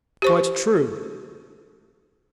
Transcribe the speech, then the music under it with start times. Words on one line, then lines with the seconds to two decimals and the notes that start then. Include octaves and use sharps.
Quite true!
0.22 G4 C5 C#6